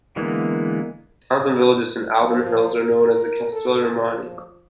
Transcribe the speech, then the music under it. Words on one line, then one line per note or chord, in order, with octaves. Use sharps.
The towns and villages in the Alban Hills are known as the Castelli Romani.
D3 E3 G#3 A#3 B3
F3
A#4
A4
F3